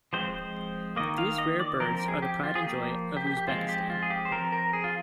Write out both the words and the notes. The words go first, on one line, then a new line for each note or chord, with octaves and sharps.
These rare birds are the pride and joy of Uzbekistan.
F3 G#3 C4 C5
C5
D#3 A#3 D#5
F5
D#5
D5
F3 C4 A#4
A#4
G#4
G4
F4
G#4
F3 A#3 G4
G4
G4
G4
F3 G#3 C4 F4
G4
F4
G#4
G4
C5
F3 C4 A#4
A#4
G#4
F4